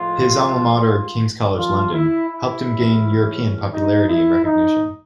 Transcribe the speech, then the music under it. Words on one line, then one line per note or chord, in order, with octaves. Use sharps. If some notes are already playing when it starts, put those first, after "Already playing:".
His alma mater, King's College London, helped him gain European popularity and recognition.
Already playing: A2 F3 G#3 F4
F3 F4
E4
E4
C#3 E3 A3 C#4
D#4
E4
D#4